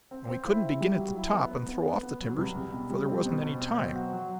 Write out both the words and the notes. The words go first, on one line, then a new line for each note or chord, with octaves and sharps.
And we couldn't begin at the top and throw off the timbers, for there wasn't any time.
C4
C4
E4
E4
G3
F#3
E4
B3
B3
B3
B3
B3
F#3
C2
C2
B2
G3
C4
B2
B2
C4
F#3
F#4
F#3